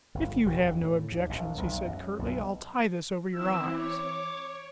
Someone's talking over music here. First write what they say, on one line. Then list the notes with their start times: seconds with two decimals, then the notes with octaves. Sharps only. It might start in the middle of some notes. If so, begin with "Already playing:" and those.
"If you have no objections," he said curtly, "I'll tie this over your eyes."
0.14 G1
0.46 E1
0.67 D#2
0.81 A2
1.12 D#2
1.29 A#1
1.58 B1
1.85 F#2
2.19 B1
3.34 E3 C4 E4 E6
3.74 C#5 D6